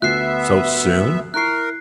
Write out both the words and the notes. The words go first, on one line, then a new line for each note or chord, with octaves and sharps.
"So soon?"
D2 B3 E5 F#6 C7
E4 A#4 C#6 F#6 C7